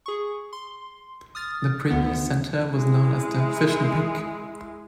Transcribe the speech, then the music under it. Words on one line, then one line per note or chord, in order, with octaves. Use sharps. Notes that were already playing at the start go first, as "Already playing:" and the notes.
The previous center was known as the "Fish N Pic".
G#4 C#6
C6
D#6 F6 A6
D2 D3 B3
G#3 E4